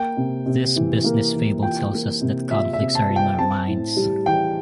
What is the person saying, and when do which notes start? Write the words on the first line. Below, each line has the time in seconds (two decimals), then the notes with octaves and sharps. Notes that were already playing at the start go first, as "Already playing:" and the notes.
This business fable tells us that conflicts are in our minds.
Already playing: A#3 G5
0.17 C3
0.46 C3
0.76 E3
1.04 A#3
1.34 E3
1.63 F4 G5
1.93 A#3
2.21 C3
2.51 F4 E5
2.73 E5
2.80 C3
2.95 A5
3.09 F4
3.16 G5
3.38 C4 A5
3.67 A2
3.97 G3
4.26 E3 G5